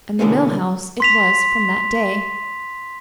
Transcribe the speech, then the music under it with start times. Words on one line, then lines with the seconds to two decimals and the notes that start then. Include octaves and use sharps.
And the "Mill House" it was from that day.
0.19 B2 D3 E3 G#3 A#3 C#4
1.00 C6 B6 F7